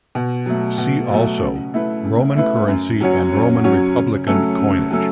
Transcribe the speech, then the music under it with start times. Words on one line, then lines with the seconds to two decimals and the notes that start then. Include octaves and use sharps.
"See also:" Roman currency and Roman Republican coinage.
0.15 B2
0.46 F#3 A3
0.78 B2
1.10 F#3 A3
1.42 C#3
1.74 A3 E4 B4
2.05 C#3
2.36 A3 E4 B4
2.68 F#2
3.01 F#3 C#4 F#4 C#5
3.32 F#2
3.64 F#3 C#4 F#4 C#5
3.95 C#3
4.27 F#3 A3 C#4 A4
4.59 C#3
4.91 F#3 A3 C#4 A4